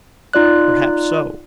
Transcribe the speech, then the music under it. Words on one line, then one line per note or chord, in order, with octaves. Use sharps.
Perhaps so.
D#4 F4 D5 F#6